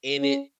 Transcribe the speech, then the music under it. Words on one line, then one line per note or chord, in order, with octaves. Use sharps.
in it
C#4